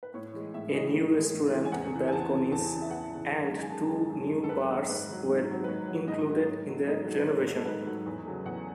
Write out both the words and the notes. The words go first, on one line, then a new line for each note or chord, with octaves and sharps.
A new restaurant, balconies, and two new bars were included in the renovation.
B4
A2 C#5
E3 G#3
A2 E5
E3 G#3 D#5
A2
E3 G#3
A2
E3 G#3
G#5
E2 F#5
C#3 E3
G#5
E2 A5
C#3 E3
E2 A5
C#3 E3
E5
E2 F#5
C#3 E3
F#2
D#3 G#3
G#5
F#2 A5
D#3 G#3
F#2
D#3 G#3
A4
F#2 B4
D#3 G#3
G#2 B4
D#3 F#3
G#2
D#3 F#3
B4
G#2 C#5
D#3 F#3
G#2 D#5
D#3 F#3
G#2 C#5
D#3 F#3 A3
G#2 D#5
D#3 F#3 A3
B4
G#2 C#5
D#3 F#3 A3
A4
G#2 B4
D#3 F#3 A3
E2
C#3 F#3 A3
E2 F#5